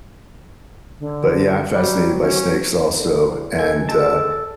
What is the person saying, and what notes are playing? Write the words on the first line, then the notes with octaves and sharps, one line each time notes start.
but, yeah, I'm fascinated by snakes also, and, uh
D3
F#3 G3
C#4
D3
E2
A4 G#5
G#3 A4 A5